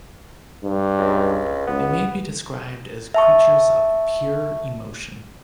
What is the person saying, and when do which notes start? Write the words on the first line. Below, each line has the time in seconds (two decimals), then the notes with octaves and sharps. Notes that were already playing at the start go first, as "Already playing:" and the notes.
They may be described as creatures of pure emotion.
0.63 G2
0.99 C#2
1.67 C#2 B3
3.14 E5 A5 C#6